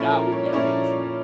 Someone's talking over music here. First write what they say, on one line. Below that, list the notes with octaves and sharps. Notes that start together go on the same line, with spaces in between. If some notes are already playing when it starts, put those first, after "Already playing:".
That would be amazing.
Already playing: A#2 F3 C#4 E4 A4
A#4
C#5
D5
A#2 F3 C#4 E4 C#5